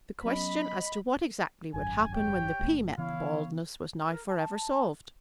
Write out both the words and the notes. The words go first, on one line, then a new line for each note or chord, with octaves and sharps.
The question as to what exactly would happen when the pea met the baldness was now for ever solved.
F#3 B3 C#4 D#5 B5
G#1 F#2 G#5
G4 C#5 G5
G1 A3 A#3
C#3 E3 B3 E4 C#5 F5
A#4
A5